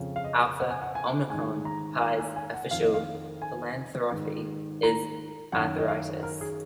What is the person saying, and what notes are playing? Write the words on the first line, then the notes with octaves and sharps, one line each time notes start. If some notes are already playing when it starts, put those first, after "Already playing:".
Alpha Omicron Pi's official philanthropy is Arthritis.
Already playing: F2 C#3
F5
D#5
F#5
G#5
F#5
G#5
G#2 D#3 G#5
A#5
A#5
G#5
G#5
F#5
F2 D#3 F5
D#5
F5
G#5
G#2 D#3
A#5
F#2 D#3 F#5
D#5
F5
A#4
G#4